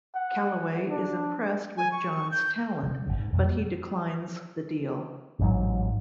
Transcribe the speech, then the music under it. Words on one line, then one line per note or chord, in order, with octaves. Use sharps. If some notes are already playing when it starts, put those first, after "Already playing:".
Calloway is impressed with John's talent, but he declines the deal.
F#5
D4
G#5
C#6
G6
C3 G3
G1 F#2 C#3
G#2
F2 B2 F3 G3
A#3
A1 G#2 F#3